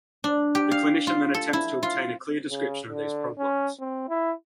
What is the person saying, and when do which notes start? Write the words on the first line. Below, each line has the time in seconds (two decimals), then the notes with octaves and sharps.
The clinician then attempts to obtain a clear description of these problems.
0.24 D4
0.55 G4
0.71 F5
1.07 F4
1.34 A4
1.53 E4
1.83 F4
2.50 C#3
2.89 D3
3.38 C#4
3.80 C4
4.09 E4